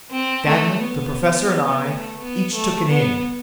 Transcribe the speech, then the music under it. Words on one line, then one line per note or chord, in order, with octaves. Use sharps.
Stanley, the Professor and I each took an end.
C4
A3
B3
A3
B3
A3
B3